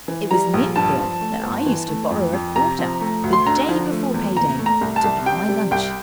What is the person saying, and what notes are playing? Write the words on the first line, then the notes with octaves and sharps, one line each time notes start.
It was near here that I used to borrow a quarter, the day before pay-day, to buy my lunch.
E3
G3 A#5
A#1
G2 A5
F3
A3
G1
E3
A3
F2
F2
C3 A#5
F3
A3
D2
C6
D3 A#5
F3
A3
E2
A#2 A#5
A3
A#5
C2
A5
C2
C3 G5
G3
C2 G5